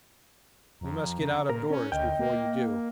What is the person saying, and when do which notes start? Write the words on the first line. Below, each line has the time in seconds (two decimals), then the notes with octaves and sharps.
We must get out of doors before you do.
0.81 F2 A#5
1.20 C#3
1.49 A#2 A#4
1.70 C#4
1.92 D2 D#5 G5
2.19 A#3